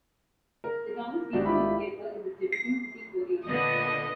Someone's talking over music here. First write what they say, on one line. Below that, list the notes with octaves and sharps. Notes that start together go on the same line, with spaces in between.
The town's weekly newspaper is the "Gibson City Courier".
A#4
G#1 D4 F#4 G4
E4 F4 D5 B5
C7
A#2 D3 B3 D#5